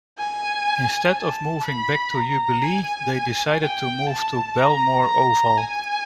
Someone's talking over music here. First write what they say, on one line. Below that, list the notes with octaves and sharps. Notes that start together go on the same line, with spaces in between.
Instead of moving back to Jubilee they decided to move to Belmore Oval.
G#5
A5
B5
A#5
G#5
G5
A5
A#5
A#5
G#5